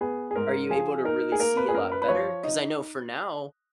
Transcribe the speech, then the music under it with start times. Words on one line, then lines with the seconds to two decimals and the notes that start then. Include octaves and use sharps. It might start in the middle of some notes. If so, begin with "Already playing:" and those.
are you able to really see a lot better? 'Cause I know for now,
0.01 B3 G#4
0.31 G#4
0.36 G#2 A#4
0.70 F3 G#4
1.05 D#4 A#4
1.32 G#4
1.40 A#3 A#4
1.57 B4
1.68 G#4
1.74 F#2 A#4
1.92 B4
2.02 B4
2.08 F3 C#5
2.43 D#4 D#5